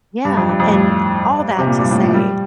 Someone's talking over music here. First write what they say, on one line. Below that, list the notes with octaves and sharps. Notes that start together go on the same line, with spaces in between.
Yeah, and all that to say
G2
F2
G2
F2
A2
G2
C3
A#2
G2
A2
F3
G3